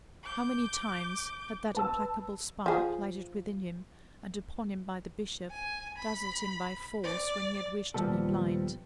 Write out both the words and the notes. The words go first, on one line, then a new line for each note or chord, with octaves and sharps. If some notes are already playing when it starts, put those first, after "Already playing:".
How many times had that implacable spark, lighted within him, and upon him by the Bishop, dazzled him by force when he had wished to be blind!
D6 G6
B4 A5 E6
F3 G#4
G#5
B5
D5
D#2 A#2 F3 G3 B3 A4